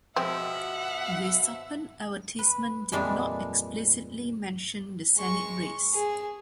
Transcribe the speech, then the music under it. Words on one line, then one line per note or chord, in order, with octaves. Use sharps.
The Suppan advertisement did not explicitly mention the Senate race.
B2 F3 G#3 C4 E5 F#5
B4
F2 A#2 E3 G3 G#3 D4
G#3 C#6
G#4